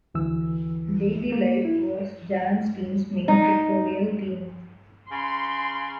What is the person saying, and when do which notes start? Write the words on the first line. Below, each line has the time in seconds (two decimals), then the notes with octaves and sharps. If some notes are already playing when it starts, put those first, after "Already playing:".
Daily life was Jan Steen's main pictorial theme.
0.14 D2 E3 E6
1.32 A#3
1.65 E4
3.28 D#4
5.11 C#3 C6